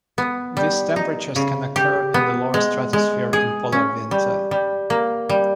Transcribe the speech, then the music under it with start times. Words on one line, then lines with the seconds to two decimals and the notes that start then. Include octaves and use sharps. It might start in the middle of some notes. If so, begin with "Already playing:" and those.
These temperatures can occur in the lower stratosphere in polar winter.
0.18 B3
0.57 G3
0.96 D#4
1.36 C#3
1.76 G4
2.14 B3
2.54 G#3
2.93 G#3
3.33 G#4
3.72 C#4
4.11 G3
4.51 G3
4.90 A#3
5.29 G3